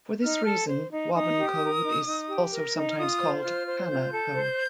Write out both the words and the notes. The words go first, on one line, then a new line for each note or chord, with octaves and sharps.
For this reason, Wabun code is also sometimes called Kana code.
D#4 F6
A4
C5
D#4
D#4 D#6
G4
A#4
D#4
D#4
G4
A#4
D#4
F6
F4 D#6
C5
F4 F6
C5
F4 G6
A4
C5